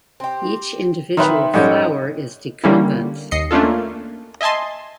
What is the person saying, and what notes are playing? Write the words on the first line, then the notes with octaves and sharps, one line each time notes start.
Each individual flower is decumbent.
C4 G4
D#3 C4 B4 E5 F#5
G#2 G3 C#4 A4 D#5 G5
D3 G3 A#3 C#4 E4
D#2 D#5 C7 C#7
A3 C#4 D4 F4 A4
A#3
D#5 E5 G#5 A5 C6